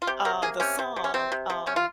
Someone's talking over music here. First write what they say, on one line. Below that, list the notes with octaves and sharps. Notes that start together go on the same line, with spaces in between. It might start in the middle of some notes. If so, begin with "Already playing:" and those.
uh, the song, um
F4
C3 G4
C3 A#4
A#3 G#4
C3 C#4
C3
C3
C#4
C3 C4
C3
C3
C3 C#4
F4